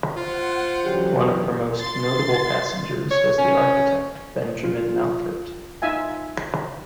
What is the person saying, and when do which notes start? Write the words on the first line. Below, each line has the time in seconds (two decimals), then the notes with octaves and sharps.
One of her most notable passengers was the architect Benjamin Mountfort.
0.16 F4 C5 F#5
0.84 F#2 D3 E3 F#3 G4
1.78 C6 A6
3.11 C#5
3.38 C#4
4.63 F4
5.82 D#4 F4 E5 G#5